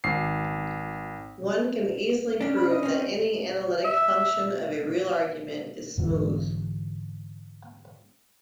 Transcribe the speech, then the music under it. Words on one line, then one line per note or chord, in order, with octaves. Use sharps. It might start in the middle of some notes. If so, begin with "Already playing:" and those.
One can easily prove that any analytic function of a real argument is smooth.
G#1 C7
C#4 D4
B5
D#5
C4 C#4
E5
G#2 D3 E3